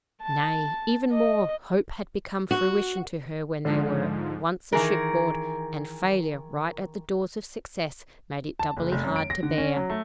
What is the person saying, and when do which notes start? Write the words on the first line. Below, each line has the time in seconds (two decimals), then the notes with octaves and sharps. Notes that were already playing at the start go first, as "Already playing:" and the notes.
Nay, even more; hope had become fruition to her when they were once a-shipboard, and failure right at the door of success made it doubly hard to bear.
0.22 A5
1.12 D#5
2.51 F#4
3.65 G#2 D3 F3
4.73 D#3 E3 G#4 A#4
8.59 A5
8.77 F#1
8.92 F1
9.03 F#2
9.16 D7
9.30 A#6
9.43 D3
9.58 C#4
9.77 F#3
9.90 A3